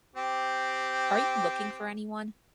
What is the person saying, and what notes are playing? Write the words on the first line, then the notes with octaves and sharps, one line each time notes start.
Are you looking for any one?
C4 G4